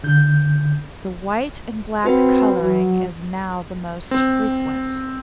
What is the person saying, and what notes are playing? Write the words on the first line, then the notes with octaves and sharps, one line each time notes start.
The white and black colouring is now the most frequent.
D3 G6
C4 F#4 B4
F#3
C4